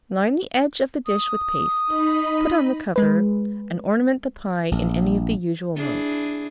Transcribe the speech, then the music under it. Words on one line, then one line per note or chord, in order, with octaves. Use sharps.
Line the edge of the dish with paste, put on the cover, and ornament the pie in any of the usual modes.
D#6
D#4 D#5 B5
G#3 B4
A#1
D4 E4 G#4